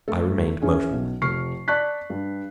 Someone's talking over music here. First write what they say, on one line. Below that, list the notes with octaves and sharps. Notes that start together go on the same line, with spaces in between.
I remained motionless.
A3 A4
E3 C#4 G#4
B1
F1 C#6 F6 C7
D5 A5 C#6 F#6 B6
G2